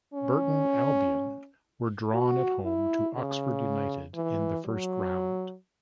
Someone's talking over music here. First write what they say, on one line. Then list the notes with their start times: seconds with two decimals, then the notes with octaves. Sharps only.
Burton Albion were drawn at home to Oxford United in the first round.
0.13 C#4
2.14 F#4
2.64 E4
3.15 C#3
4.15 E3
4.65 F#3